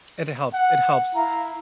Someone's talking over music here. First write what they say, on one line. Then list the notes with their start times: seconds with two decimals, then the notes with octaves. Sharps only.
it helps it helps
0.54 F#5
1.15 E4 F5 A#5